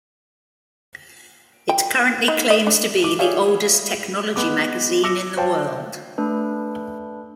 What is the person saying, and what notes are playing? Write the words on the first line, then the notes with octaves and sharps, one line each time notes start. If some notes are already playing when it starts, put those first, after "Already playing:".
It currently claims to be the oldest technology magazine in the world.
G5
D#4
D#5
D4
D6 D#7
G4 G#4 C#5 D5 E5 F5
G#3 B3 D6
D6 E6 A#6 C#7
C5 C#5 F5 G5 A5
A3 D4 B4